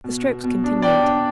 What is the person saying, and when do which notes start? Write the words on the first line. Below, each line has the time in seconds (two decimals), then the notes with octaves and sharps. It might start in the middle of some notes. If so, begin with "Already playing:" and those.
The strokes continued.
0.04 B2
0.25 B2
0.44 B2
0.64 D4
0.82 D4 D5 G5
1.03 D4